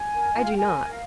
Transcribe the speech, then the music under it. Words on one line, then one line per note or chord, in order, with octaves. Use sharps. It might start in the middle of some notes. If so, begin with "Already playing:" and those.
"I do not."
Already playing: G#5
A#4
F4 D#5
F5
G5
A#4 G#5
A#4
F5